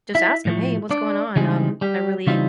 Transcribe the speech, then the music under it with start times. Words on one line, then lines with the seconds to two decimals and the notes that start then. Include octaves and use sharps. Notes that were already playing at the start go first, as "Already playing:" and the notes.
just ask him, "Hey, what's going on? Um, I really
0.15 E4 E5
0.45 A2 F3 A3
0.91 D4 D5
1.36 C#3 E3 G3 G#3 C4 D#4 G#4
1.81 G3 G4
2.27 C#3 E3 G3 C4 D#4 F4